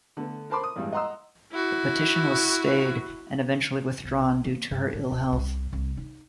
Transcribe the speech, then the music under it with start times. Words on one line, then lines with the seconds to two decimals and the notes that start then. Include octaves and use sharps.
The petition was stayed and eventually withdrawn due to her ill-health.
0.17 D3 A3 B3
0.50 A#4 C5 A5 B5 C6 D6
0.63 D#6
0.76 A1 G2 G3 G#3
0.93 D#5 F#5 A#5 C6 D#6 E6
1.52 E4 F#4
4.04 B1
4.45 A#3
4.71 G2
4.93 A1
5.11 D1
5.33 C2
5.73 C2
5.97 D#4